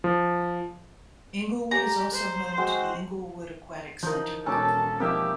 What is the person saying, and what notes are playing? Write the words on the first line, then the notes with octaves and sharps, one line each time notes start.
Inglewood is also home to the Inglewood Aquatic Centre.
F3
G4 C#5 G#5 A#5
C5
G#3 C4 F#4
E3 F3 D#4 A#4 G6
E1 C#4 A4 A5 A#5 D6
F3 A#3 C4 D#4 G4 E5